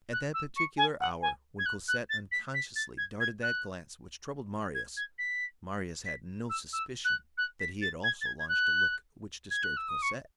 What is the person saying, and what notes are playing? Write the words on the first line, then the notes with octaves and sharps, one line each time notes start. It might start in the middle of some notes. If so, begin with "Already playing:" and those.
At that particular hour when Cosette unconsciously darted that glance which troubled Marius, Marius had no suspicion that he had also launched a look which disturbed Cosette.
F#6
E6
C#6
G#5
F#5
G#5
G#6
F#6
F#6
A6
B6
B6
A6
G#6
G#6
F#6
G#6
G#6
B6
B6
E6
E6
F#6
F#6
B6
A6
G#6
A6
G#6
G#6
F#6
G#6
F#6
E6
D#6
C#6